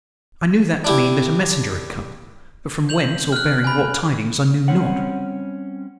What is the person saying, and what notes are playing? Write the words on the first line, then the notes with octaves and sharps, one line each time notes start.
I knew that to mean that a messenger had come; but from whence or bearing what tidings I knew not.
D4 E4 G4
G6 F7 F#7
F6 F#6
G#5 B5
G3 C4 C#4 C#5 F#5